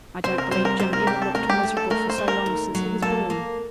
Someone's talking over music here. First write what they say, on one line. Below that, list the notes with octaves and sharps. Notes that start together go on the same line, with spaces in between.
I don't believe Jim ever looked miserable for so long since he was born.
C3 C5
A#4
G3 C5
A#4
C3 C5
A#4
D4 G4
A4
A3 A#4
G4
A3
A4
A3 A#4
C5
A3
A#4
D#2
F#3
A#3 A4
A#3